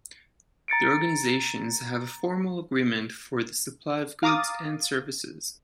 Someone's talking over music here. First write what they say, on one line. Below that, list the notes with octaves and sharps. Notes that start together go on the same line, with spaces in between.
The organisations have a formal agreement for the supply of goods and services.
A#5 A6 C#7 D7
F5 A#5 D6 D#6 A6